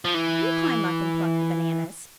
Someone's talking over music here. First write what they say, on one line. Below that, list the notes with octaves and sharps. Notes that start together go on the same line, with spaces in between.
You climb up and pluck the bananas.
F3
E3